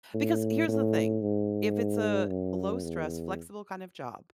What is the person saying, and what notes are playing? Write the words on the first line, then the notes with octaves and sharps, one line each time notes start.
because here's the thing, if it's a low-stress, flexible kind of job
A2
A2
G#2
F#2
E2